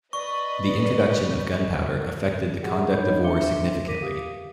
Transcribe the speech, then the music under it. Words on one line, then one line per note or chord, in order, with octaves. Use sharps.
The introduction of gunpowder affected the conduct of war significantly.
B4 D5 D#5 C#6
G#4 F#5
D4 D#4 C#5 D#5 B5 G6
D4 E5 C6 D6 C#7 G7
A#4 D6 A#6 B6 D#7
G4 F5 D#6